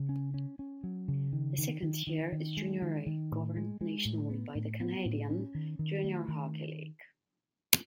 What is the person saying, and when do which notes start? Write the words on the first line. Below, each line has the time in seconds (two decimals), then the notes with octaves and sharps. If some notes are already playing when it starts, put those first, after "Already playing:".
The second tier is Junior A, governed nationally by the Canadian Junior Hockey League.
Already playing: C#3
0.09 C#4
0.34 C#4
0.59 C#4
0.84 F#3
1.08 C#3
1.33 D#3
1.58 D#3
1.82 D#3
2.07 D#3
2.32 D#3
2.57 G#3
2.82 D#3
3.06 D#3
3.32 A2
3.57 G#3
3.81 G#3
4.05 A2
4.30 B3
4.55 A2
4.80 B3
5.05 A2
5.30 C#4
5.55 D#3
5.79 D#3
6.04 A3
6.28 D#3